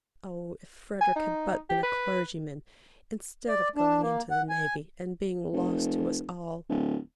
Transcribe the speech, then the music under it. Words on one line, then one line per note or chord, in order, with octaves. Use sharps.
'Oh! if Frederick had but been a clergyman, instead of going into the navy, and being lost to us all!
G#5
D#4
G4
B4
D5
D4
A#3
F#5
G#5
F1
D1